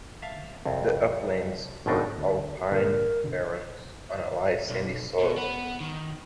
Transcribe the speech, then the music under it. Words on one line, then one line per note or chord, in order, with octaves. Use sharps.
The Uplands are all pine barrens on a light Sandy Soil.
E5 F5 A5
C2 F2
G#1 F2 B2 A3 D4 D#4
D2 D3
A#2 D3 A#4
G2 B2 D3
B1
B2
B3 B4
D#3